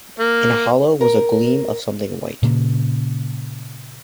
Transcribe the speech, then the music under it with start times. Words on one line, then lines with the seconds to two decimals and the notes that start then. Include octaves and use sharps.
In a hollow was a gleam of something white.
0.20 A#3
1.01 A#4
2.43 A#2 C#3 A#3